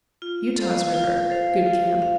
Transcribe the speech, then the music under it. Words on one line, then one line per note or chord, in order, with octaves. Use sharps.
Utah's River.--Good camp.
F4
A4 C5 F5
F4
A4 C5 F5
F4
F5